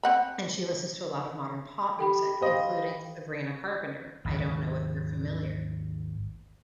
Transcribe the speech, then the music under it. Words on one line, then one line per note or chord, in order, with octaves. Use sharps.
and she listens to a lot of modern pop music, including Sabrina Carpenter. I don't know if you're familiar.
C4 F#5 B5
G4 A4 G5 B5
G4 C5 D#5 F5
G#1 D#2